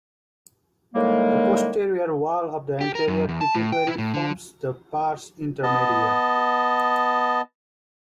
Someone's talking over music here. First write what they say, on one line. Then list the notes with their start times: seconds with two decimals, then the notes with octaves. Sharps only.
The posterior wall of the anterior pituitary forms the pars intermedia.
0.95 A2 D#3 G3 G#3 A#3
2.81 G4
2.95 A#4
3.08 F#2
3.29 E2
3.41 A5
3.55 A2
3.72 G5
3.87 E4
3.98 A2
4.14 D3
5.63 B3 D#5 A5